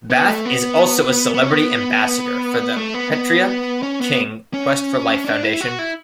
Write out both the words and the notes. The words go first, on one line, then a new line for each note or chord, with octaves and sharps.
Bath is also a Celebrity Ambassador for the Petrea King Quest for Life Foundation.
B3
A3
B3
B3
C#4
B3
A3
B3
B3
C#4
B3
C#4
D4
E4
F#4
E4